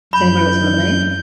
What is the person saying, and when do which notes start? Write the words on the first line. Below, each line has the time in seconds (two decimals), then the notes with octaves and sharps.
Does anybody want some lemonade?
0.13 F#2 B5 G6